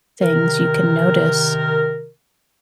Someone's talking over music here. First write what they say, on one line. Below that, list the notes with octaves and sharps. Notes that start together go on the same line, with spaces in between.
things, you can notice
C3 D#3 A#4